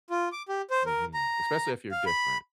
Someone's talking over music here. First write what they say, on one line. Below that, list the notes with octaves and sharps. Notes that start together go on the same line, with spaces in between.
Mhm. Especially if you're different.
F4
D6
G4
C5
A#4
A#5
F5
B5